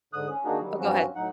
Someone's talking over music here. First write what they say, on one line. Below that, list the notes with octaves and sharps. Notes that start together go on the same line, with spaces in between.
Oh, go ahead.
G#2 D3 D#6 F#6
C#4
D#3 A#3 D4 D#4 F#4 G#4
D#3 F#3 G3
G2 F3 F#3 C4 C#4 F#4
A2 F#3 D#4 F#5